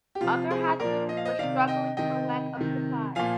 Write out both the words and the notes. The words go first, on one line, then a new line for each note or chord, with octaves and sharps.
Other hospitals were struggling for lack of supplies.
G4
C3 F3 F4
G#4 C5
A#2 F3 A#4 D5
D#5
F5
C5 D#5
C3 D#3 D5 F5
D#5 G5
C3 D#3 D#5 G5
C3 D#3
A#2 F3 F5 G#5